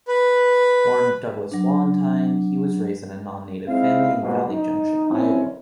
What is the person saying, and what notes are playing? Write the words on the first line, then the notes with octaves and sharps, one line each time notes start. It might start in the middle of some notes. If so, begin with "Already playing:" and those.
Born Douglas Wallentine, he was raised in a non-Native family in Valley Junction, Iowa.
B4
F#3 D4
G#3 C4 D#4 E4 E5 F5
A#1 G#2 B2
D#4
F3 C4 C#4 E4